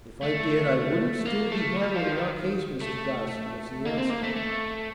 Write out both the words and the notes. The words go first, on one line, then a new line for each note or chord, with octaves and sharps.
"If I did I wouldn't still be handling your case, Mr. Darcy," was the answer.
A3
A#3
A3
G3
F3
D#3
A3
A#3
C4
A#3
A3
A3